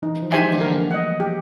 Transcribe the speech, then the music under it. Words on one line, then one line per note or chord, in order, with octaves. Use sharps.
and then,
E3 D#4
E3
F3
G4 C5 E5 G#5
G#3
A3
A#3 A#4
A3
F#3
G3 D#5 F#5
F#3
G4